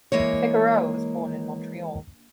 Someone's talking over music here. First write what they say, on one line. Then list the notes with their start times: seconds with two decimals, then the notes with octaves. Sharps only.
Figueroa was born in Montreal.
0.12 E3 G#3 A#3 C#5